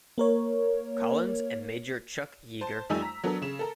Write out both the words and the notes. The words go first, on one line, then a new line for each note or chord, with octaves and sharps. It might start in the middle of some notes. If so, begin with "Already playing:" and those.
Collins and Major Chuck Yeager.
A#3 A#4 C#5
C5 A5
F2 G3 A3 D#4 G#5 E6
A#5 B6
F#3 B3 D4 A4 A#4
C#3 E7
A4 A#4